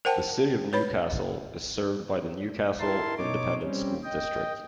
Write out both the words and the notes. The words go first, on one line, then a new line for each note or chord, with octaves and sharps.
The City of Newcastle is served by the Newcastle Independent School District.
A#4 C5 F#5 G5 A5
B4 C#5 B5
E4 A#4 A5 C6
B2 D#4 C#5 D6
G3 C4 C#4
D#5 G5